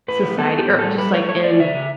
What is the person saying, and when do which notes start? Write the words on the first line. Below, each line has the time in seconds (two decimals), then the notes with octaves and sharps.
society or just, like, in
0.08 A2 B4
0.23 A3
0.38 B3 A4
0.53 B3
0.58 G4
0.69 A2
0.79 A4
0.84 G3
0.98 A3 B4
1.13 A3 C#5
1.29 A3 C#5
1.44 A3 D5
1.59 C#3 E5
1.74 C#3